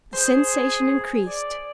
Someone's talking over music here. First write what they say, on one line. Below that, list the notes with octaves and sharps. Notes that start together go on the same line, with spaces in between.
The sensation increased.
G#4 C5
D5